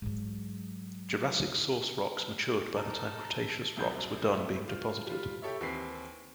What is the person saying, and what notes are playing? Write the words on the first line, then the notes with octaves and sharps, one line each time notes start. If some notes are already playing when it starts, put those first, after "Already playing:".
Jurassic source rocks matured by the time Cretaceous rocks were done being deposited.
G#2 F#3
D#4 A4 A#4
D#1 C2 F#2 G6 G7
C3 A3
F4
G3 F4
E4 G4 A4 C#5 E5
D#2 E3 C4 B4 B6 C7